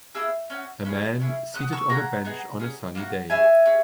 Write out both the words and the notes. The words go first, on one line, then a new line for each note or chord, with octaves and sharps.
A man seated on a bench on a sunny day.
A#3 E4 G#4 E6
C#4 F#4
C#4 E4 G#4
C#4 E4 G#4
C#4 F#4 D#6 F#6
C#6 E6
A#3 C#4 G#4 F#5 A#5
B3 D#4 G#4
C#4 G#4
A#3 D#4 F#4
C#4 E4 G#4 E5 G#5
C#4 G#4